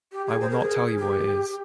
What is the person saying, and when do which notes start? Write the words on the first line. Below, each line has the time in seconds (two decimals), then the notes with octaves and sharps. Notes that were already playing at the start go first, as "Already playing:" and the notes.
I will not tell you what it is.
0.12 G4
0.27 G#4
0.41 C5
0.50 A#4
0.60 G#4
0.98 G4